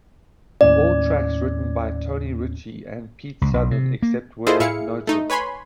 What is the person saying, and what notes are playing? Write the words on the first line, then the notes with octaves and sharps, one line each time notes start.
All tracks written by Tony Ritchie and Pete Southern, except where noted.
D#2 A2 C#4 D5
C#2
B1
C3
A#3
E4 F4 G#4 A4 C5 D#5
A2 E4 G#4 F5 C#7
A3 D#4
B4 C#5 G#5 B5 C6